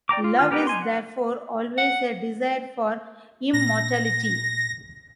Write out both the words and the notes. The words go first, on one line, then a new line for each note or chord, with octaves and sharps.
Love is therefore always a desire for immortality.
D5 G5 A#5 D6
F4
D#3 G3 F4 F6
B3 G4 A#4 B4
D#4 G#5 C6
F#5
F#5
A#2 A#6